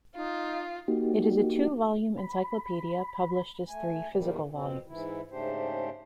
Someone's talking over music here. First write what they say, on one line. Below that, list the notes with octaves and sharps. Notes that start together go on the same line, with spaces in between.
It is a "two-volume" encyclopedia published as three "physical" volumes.
D#4 F4
A#3 D#4 F#4 G4
B5
A3 G#5
E2 A#2 D#3 G3
F2 B2 C4
G#2 E3 E4
G#2 C#3 A3 D4 G4 C5